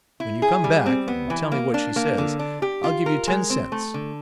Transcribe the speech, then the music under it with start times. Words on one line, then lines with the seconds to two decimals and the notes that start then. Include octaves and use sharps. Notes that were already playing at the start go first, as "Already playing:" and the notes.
When you come back and tell me what she says, I'll give you ten cents.
0.20 E4
0.42 G#4
0.64 G3
0.86 C4
1.08 B3
1.30 E3
1.52 A#3
1.74 D4
1.96 A#3
2.18 D3
2.39 D4
2.62 G4
2.84 F4
3.06 A#4
3.27 G#3
3.50 C4
3.72 A3
3.94 D3